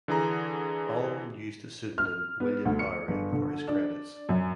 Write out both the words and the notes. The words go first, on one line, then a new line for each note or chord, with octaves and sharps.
Alwyn used the pseudonym William Bowery for his credits.
D3 E3 G#4 A#5
F6
B3
D2
C#7
G1
D3
D4
F#2